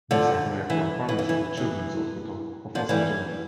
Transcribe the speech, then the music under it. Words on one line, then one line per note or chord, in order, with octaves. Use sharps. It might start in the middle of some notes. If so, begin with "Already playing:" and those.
This has led to a partnership with Children's Hospital of Los Angeles.
D3 F3
E3
E3
E3
E3
E3
D3 F3
E3 G3